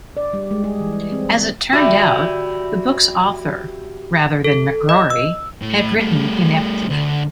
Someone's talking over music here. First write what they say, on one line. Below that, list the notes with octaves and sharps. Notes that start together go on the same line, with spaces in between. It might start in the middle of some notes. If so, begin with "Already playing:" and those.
As it turned out, the book's author, rather than McGrory, had written ineptly.
D5
G3
G#3
G#4
E3
G3
C4
C4
E4 F#4 G4 D5
A4
D#5
E6
A2
G3 A3
D2